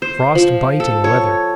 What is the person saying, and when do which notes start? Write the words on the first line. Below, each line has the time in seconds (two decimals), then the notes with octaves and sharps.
Frostbiting weather!
0.02 C5
0.35 F3
0.80 A4
1.04 C#5